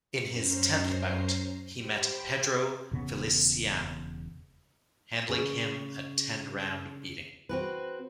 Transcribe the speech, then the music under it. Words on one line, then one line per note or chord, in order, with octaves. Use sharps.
In his tenth bout, he met Pedro Feliciano, handling him a ten-round beating.
F#2 C#4 C5 A#5 C7
G4 C5 G5 B5
E1 C#3 B3
C#3
C4 F#4 B4